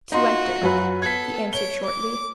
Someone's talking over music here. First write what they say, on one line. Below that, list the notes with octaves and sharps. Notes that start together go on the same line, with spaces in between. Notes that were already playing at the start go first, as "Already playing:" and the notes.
'To enter,' he answered shortly.
D#4 F4 F#4 C6
F#2 F#3 B4
B3 A4 G#6 B6
C#5 D7 G7
D6